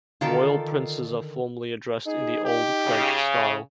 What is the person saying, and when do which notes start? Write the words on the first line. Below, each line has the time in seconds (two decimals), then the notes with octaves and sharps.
Royal princes are formally addressed in the old French style.
0.21 D3 D#3 F4 A4
2.07 D#4 G#4
2.45 G4
2.86 C#3